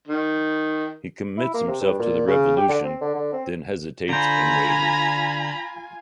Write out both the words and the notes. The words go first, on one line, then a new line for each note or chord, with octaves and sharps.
He commits himself to the revolution, then hesitates and wavers.
D#3
E4
A#3
C3
G2
A#2
C#3
G4
D3
C4
D3
D3
C4
D3 F4 C5 G#5 A#5 B5